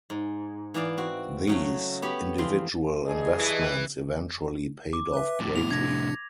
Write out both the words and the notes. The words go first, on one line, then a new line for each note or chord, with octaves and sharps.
These individual investments eventually paid off greatly.
G#2
E3 B3 D5 F5
C4 F#4
C#3 F#3 A3
B3 G4 C#5 B5
E2 F3 C4 C6
G2 G#4 D#5
E3
D6
B4 E5
F2 A2
B3 E4 F7
C3 D4 G#6 A#6 F7